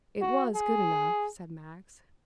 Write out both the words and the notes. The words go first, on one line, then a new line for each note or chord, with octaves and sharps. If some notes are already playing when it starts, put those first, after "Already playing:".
"It was good enough," said Max.
F#4
G#4